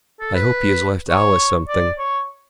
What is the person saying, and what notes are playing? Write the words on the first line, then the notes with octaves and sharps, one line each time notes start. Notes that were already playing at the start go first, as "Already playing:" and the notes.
"I hope he has left Alice something."
A4
B4
C#5
D5
C#5